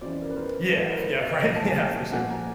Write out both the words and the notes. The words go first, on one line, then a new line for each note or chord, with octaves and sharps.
Yeah, yeah, right, yeah, for sure,
F2 C#3 E3 C5 D5
A#4
B4
A#4 C5
A2 E3 A4 B4
B4
A#4 C5
D#5 F5
A#2 F3 C#5 D#5
A5
G#5
F5 G5
A#2 F3 F#5 G#5
G#5 A#5